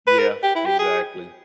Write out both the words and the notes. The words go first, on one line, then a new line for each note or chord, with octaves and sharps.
Yeah, exactly.
B4
A#4
G4
E4
G4
G#4